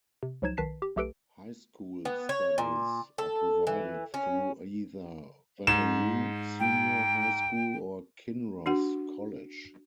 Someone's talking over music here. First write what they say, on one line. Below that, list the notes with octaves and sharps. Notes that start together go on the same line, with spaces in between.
High School studies are provided through either Wanneroo Senior High School or Kinross College.
C3
C#2 F3 F#3 D#4 G#6 E7
B1 D#3 B4 A5 B6 C7
G4
B1 A3 G4 A4 B4 D7
B3
C#5
A#2
A4
E3
C#4
G#2 E7
G5
D4 F#4 F#5